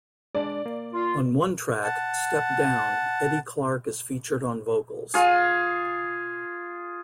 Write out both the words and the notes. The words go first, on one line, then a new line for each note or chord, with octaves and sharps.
On one track, "Step Down," Eddie Clarke is featured on vocals.
G#3 D4 D5
A#3
F4
F#5 A5
F4 G#4